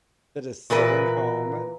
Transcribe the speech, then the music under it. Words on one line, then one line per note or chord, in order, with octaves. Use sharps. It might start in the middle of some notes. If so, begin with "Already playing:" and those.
that is sitting home
A#2 E3 A#4 B4